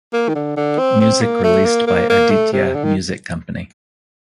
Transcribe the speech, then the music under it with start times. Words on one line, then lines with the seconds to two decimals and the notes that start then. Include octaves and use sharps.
Music released by Aditya Music Company.
0.13 A#3
0.28 D#3
0.35 D3
0.57 D3
0.78 C4
1.01 C4
1.22 A#3
1.43 A3
1.65 A#3
1.87 A#3
2.09 A#3
2.31 A3
2.53 C3
2.74 D3
2.84 D#3